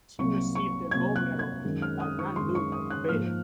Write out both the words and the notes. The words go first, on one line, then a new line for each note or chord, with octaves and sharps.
She received a gold medal by the Grand Duke of Baden.
C2 C3 F#3 A#3 C#6
C#6
C2 C3 F#3 A#3 G#6
F#6
G#6
F#2 D#3 G#3
F6
D#6
C#6
F#2 D#3 G#3 C6
C#6
D#6
F#6
G#2 F3 A#3 F6